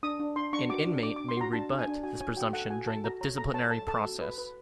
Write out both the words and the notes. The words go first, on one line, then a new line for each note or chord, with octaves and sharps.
An inmate may rebut this presumption during the disciplinary process.
D4 D#6
D4
D4 C6
D4 C#6
F#4 D6
D4
D4 D6
D4 D6
C6
F#4 A#5
D4 A5
D4
G#5
D4
F#4 G#5
C#5 G#5
F#4 G5
A4 F#5
F#4 G#5
A4 A5
F#4 A#5
C#5 A#5
A4 A#5
C#5 A5
A4 A5
A4 A5
F#4
B4
B4